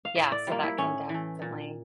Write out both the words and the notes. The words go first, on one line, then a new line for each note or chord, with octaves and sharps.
Yeah. So that can definitely
F5
A2 E5
D5
G3 A#3 F4
E4
A2 C#4
E3 A3
A#2